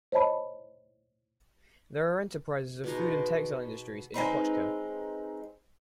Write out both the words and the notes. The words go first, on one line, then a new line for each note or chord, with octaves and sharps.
There are enterprises of food and textile industries in Opochka.
C5 C#5 D#5 A5 B5
B2 G#3 D#4
G#3 C4 D#4 B4